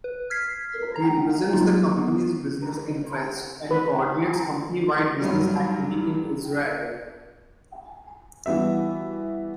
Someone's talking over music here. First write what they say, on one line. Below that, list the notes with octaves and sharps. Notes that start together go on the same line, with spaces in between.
He represents the company's business interests and coordinates company-wide business activities in Israel.
B4
F6 G#6 B6 C7
A#5
F#3 A#3 D#4 F4
B3
B4
G2 C3 F#3 G3
E3 G3 B3 F#4 E5